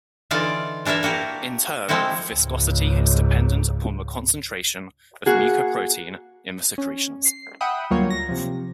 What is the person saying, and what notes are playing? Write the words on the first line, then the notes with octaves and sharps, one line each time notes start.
In turn, the viscosity is dependent upon the concentration of mucoprotein in the secretions.
D3 E3 D#4 F4 D5
E3 D4 E4 A#4 E5
A#3 F#4 G4 A#4
F3 G#3 C4 E4 F#4
C#2 G#2
A#3 F#4 G#4
C#4
C7
E5 F#5 G5 B5 D#6
D2 F#3 G3 A#3 F4 C#5
A#6
C3 F3